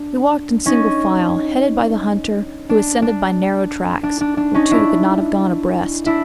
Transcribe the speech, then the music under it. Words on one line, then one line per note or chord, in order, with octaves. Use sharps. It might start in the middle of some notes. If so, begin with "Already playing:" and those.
We walked in single file, headed by the hunter, who ascended by narrow tracks, where two could not have gone abreast.
Already playing: D4
C#4 D#4
D4
D4
D4
D4
D4
C#4 D#4
D4 E4
D4 E4